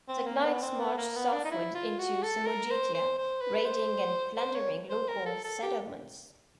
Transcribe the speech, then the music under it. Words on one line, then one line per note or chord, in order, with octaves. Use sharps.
The knights marched southward into Samogitia, raiding and plundering local settlements.
C4
A#3
B3
C4
B3
A#3
B3
D4
D#4
E4
F4
F#4
A4
A#4
C5
C5
C5
B4
C5
C5
C#5
C5
A#4
A4
A4
G4